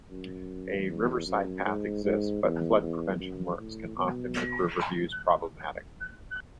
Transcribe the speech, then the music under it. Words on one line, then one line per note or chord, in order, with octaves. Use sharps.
A riverside path exists, but flood prevention works can often make river views problematic.
F#2
E2
F#2
G#2
G#2
E2
E2
F#2
A2
B2